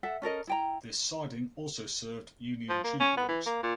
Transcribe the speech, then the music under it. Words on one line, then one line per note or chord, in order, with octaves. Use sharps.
This siding also served Union Tube Works.
A4 E5 F#5
C#4 A4 A#4 D#5
E4 G5 A#5
F3
A#3
C#4
B3
E3
A#3
A#2